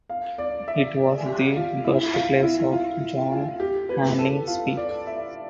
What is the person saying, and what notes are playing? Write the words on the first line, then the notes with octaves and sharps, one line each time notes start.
It was the birthplace of John Hanning Speke.
F5
D5
E5
G4
F4
E4
F4
E4
F4
F4
G4
B4
A4
F4
D5
E5